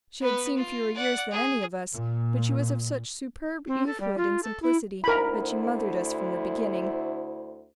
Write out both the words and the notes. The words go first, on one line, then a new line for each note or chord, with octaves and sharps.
She had seen fewer years than any of us, but she was of such superb Evehood and simplicity that she mothered us from the beginning.
B3 B4
F4
D5 F#5
G#4
A#2
C4
A4
G3
F4
A4
E4
D2 E4 A#4 C5 B5